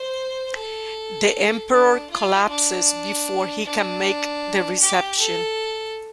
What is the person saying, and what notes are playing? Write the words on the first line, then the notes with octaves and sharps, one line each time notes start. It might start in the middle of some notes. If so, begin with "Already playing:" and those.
The Emperor collapses before he can make the reception.
Already playing: C5
A4
D4
F4
D4
D4
G4
A4